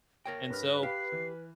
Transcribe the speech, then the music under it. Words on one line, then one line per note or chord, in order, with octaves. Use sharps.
And so
A#4 C#5 G5 A#6
G2 B4 F6
G4 F5 B5 C7
E3